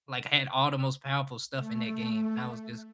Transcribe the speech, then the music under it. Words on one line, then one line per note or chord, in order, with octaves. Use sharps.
like, had all the most powerful stuff in that game and I was just
A3